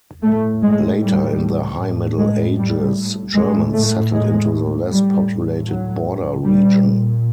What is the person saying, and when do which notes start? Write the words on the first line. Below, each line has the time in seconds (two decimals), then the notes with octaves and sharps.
Later in the High Middle Ages Germans settled into the less populated border region.
0.23 A2 A3
0.62 G#3
1.01 G3
1.79 A2
2.18 G#3
2.56 G3
3.34 A2 G#3
3.73 A3
4.12 G#3
4.89 A2 G3
5.67 F#3
6.45 A#2 G3